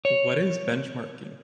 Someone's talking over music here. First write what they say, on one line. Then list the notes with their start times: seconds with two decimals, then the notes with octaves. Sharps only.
What is Benchmarking?
0.05 C#5